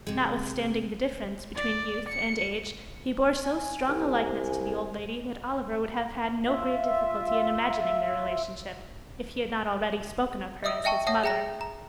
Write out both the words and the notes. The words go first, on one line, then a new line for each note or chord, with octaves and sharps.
Notwithstanding the difference between youth and age, he bore so strong a likeness to the old lady, that Oliver would have had no great difficulty in imagining their relationship, if he had not already spoken of her as his mother.
C3 G#3
D5
C#7
G#5
C2
F4 E5
D#5 E5 D#6 E6
D#5 E5 G5 A5 C#6
C#5 E5 F#5 A5 D#6 A#6
G#4 E5 G5 A#5 F#6 A#6
A#5